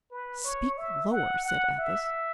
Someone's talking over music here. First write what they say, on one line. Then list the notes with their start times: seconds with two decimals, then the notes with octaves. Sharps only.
"Speak lower!" said Athos.
0.11 B4
0.44 C#5
0.78 E5
1.12 F#5
1.45 F#5
1.78 E5